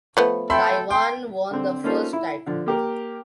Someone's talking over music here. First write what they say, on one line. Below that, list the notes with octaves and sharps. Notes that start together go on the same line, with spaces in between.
Taiwan won the first title.
F3 A3 B3
A4 E5 G5 B5 C6
G5 C6
D3 C4
A#3 C#4 D#4 F4 A4 C5
E4
D3 F3
A#3 G4 A#4